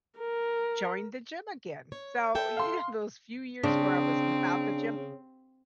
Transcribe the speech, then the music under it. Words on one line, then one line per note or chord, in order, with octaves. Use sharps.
joined the gym again. So, you know, those few years where I was without the gym,
A#4
C#5
A4 E5 G5
F5 C6
C#3 C4 D4